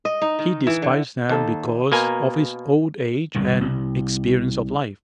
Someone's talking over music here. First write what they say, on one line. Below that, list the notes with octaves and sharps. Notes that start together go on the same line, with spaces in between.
He despised them because of his old age and experience of life.
D#5
D#4
D#3
E3
D3
D#2 D#4 A4
B2 A#3 A#4 G#5 A#5
G1 C2 F2 A#2
C2